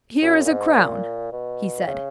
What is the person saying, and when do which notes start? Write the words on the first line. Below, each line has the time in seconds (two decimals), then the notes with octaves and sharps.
"Here is a crown," he said.
0.22 F#2
0.45 A#2
0.50 G#2
0.77 A#2
1.32 B2
1.87 C#3